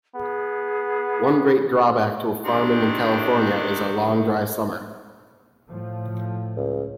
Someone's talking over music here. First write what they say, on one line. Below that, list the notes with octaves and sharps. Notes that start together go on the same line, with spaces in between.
One great drawback to farming in California is our long dry summer.
B3 G#4
C3 D#3 D4
A2 F3
C#2